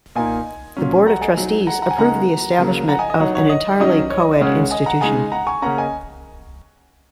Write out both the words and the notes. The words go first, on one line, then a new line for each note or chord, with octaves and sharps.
The Board of Trustees approved the establishment of an entirely co-ed institution.
A#2 A#3 D#4 D#5 G#5
A#2 F#3 C#4
F#5 A#5
D#5 G#5
F#3 D#4
F#5 A#5
F#5 A#5
G#5
C#3 G#3 D#4 F#5 A#5
C#3 F#3 A#3
F#5 A#5
D#5 G#5
D#5
F#3 D#4 C#5 F#5
C#5 F#5
D#5
D#3 F#3 C#4 D#5
C#5
D#5
D#5
C#3 G#3 C#4 C#5 F#5
D#5 G#5
F#5 A#5
C#3 G#3 D#4 D#5 G#5
F#5 A#5
G#5 C#6
C#3 A#3 C#4 F#5 A#5
D#5 G#5